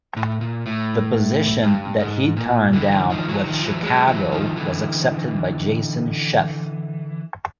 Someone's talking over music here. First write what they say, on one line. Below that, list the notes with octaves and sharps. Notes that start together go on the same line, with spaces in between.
The position that he turned down with Chicago was accepted by Jason Scheff.
A2
A#2
A2
G2
G#2
A#2
D3 E3
D#3 F3
E3 F#3
D#3 F3
E3 F#3
F#3 G#3
E3 F#3
D#3 F3
D3 E3